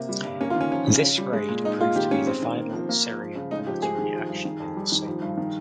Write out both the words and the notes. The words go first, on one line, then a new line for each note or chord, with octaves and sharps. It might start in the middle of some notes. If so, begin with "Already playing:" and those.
This raid proved to be the final Syrian military action in the salient.
Already playing: C3 A#3
G3
G2
A#3 C#4
F4
D#3 C#4
F3 C#4
C#3
C#4
G3
G#3
A#2
G#3 D#4
A#2 F4
D#3 G4
G#2 C#4
G#3 C4
D#3
A#3
F3
A#3
F3
F3
C#3
G#3 D#4
F3 G4
G#3 G#4
D#3
F3
G2
D#3
F2
G3
D#3
F3
G2
D#3